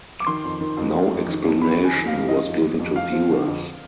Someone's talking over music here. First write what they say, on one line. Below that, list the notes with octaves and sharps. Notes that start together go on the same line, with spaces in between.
No explanation was given to viewers.
D6
D#3 C6
F2
D#3
F2
D#3
F2
D#3
F2
D#3 B5
F2
G#5
D#3
F5
F2
D#3 D#5
F2
D#3
F2
F2 F5
F3
D3
F2